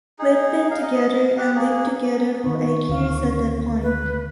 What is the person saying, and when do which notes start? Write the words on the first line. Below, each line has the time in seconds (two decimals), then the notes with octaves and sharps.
We'd been together, and lived together for eight years at that point.
0.19 D#4 G#4
0.71 D#4 F5
0.82 D#5
1.38 G4 F#5
1.55 A#3 G#4
2.44 D#3 D#4 C#6
2.89 D2 D3 F5
3.82 B4